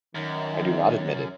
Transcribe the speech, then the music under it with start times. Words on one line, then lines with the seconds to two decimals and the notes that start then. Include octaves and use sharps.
I do not admit it.
0.15 F#2 D#3